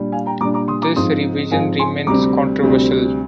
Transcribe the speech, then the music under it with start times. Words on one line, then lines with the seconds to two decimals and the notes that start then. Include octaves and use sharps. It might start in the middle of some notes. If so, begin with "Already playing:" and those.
This revision remains controversial.
Already playing: A#2 G3 D4
0.12 F5 G#5
0.26 G5 A#5
0.41 A#2 G3 D4 A#5 D6
0.54 A#5 D6
0.68 C6 D#6
0.82 A#5 D6
0.96 G#2 F3 C4 D#4 C6 D#6
1.51 G#2 F3 C4 D#4 F5 G#5
1.79 G#5 C6
2.07 D2 C3 G3 C4 A#5 D6
2.63 D2 C3 G3 C4